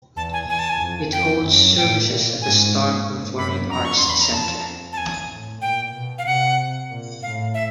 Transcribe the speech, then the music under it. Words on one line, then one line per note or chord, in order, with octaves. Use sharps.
It holds services at The Star Performing Arts Centre.
E2 A5
G#5
E2 G#5
A5
G#5
F2
F2 G5
F#2
A2 G5
A#2
G#2 G#5
F#2 B5
F2 A#5
C#6
C6
E2
B5
A#5
F2 A5
A5
E2 G#5
A2
A#2 G5
B2
F5
C3 F#5
A#2
A2 F5
E5